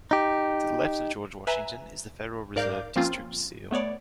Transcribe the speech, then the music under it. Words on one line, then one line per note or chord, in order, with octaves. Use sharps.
To the left of George Washington is the Federal Reserve District Seal.
D#4 G4
B4 E5 G#5 A#5
G#2 A#4 D5 F5 D6 G6
F3 A#3 C4 C#4 F4
A3 B3 C#5 D5